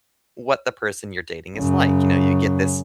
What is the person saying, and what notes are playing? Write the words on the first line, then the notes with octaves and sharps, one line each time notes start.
what the person you're dating is like. You know, you get this
F#2 C#3